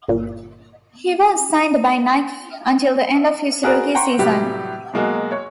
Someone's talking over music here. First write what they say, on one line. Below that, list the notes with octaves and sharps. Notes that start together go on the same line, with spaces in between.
He was signed by Nike until the end of his rookie season.
G1 A#2
F#4 G#4 A#4 B4 D5
F#5 G5 A#5 C6 C#6
A2 C3 F#3 G3 G4 B4
B2 F#3 G#3 A#3 F#4
C#5